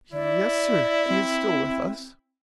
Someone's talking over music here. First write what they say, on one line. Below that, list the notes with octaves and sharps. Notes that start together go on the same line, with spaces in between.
"Yes, sir, he is still with us."
E4 D5
C4